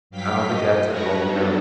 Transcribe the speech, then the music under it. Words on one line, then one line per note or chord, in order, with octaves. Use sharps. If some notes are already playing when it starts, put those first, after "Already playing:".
I don't think it's that simple, you know,
G2 F#3 F5 G5 B6
D#5
F#2 F#4 A#4 B4 C#5 A#5
F#3 B3 D4 D#4 A4